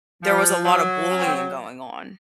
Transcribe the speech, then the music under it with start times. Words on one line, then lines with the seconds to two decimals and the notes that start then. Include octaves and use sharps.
there was a lotta bullying going on,
0.23 F3
0.63 F#3
1.11 C#4
1.22 C4